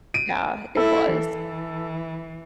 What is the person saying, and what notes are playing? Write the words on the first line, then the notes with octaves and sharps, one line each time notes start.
Yeah, it was.
D7 D#7
E4 A4
E3